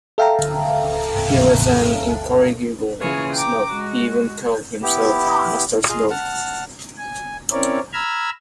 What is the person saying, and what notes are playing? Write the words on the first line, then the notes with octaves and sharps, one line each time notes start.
He was an incorrigible snob; he even called himself Master Snob.
A4 E5 F5 G5 A5 A#5
C#3 E3 A#3 F4 G#4 C#5
G5 A#5 D6
G#3 F#4
B3 E4 G4
F4 G#4 D#5 F5
F#5 A5 F6
G#5
C4 C#4 E4 A#4 C#5 D5
A#5 B5 E6 F6 G#6